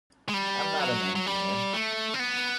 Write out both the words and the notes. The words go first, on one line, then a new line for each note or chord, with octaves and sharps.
I'm not an engineer.
G#3
G3
F#3
F#3
G3
A3
C4
B3